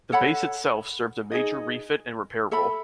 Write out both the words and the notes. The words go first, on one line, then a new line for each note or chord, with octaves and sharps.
The base itself served a major refit and repair role.
A4 C#5 F#5 B5
D#4 G#4 D#5
A4 E5 B5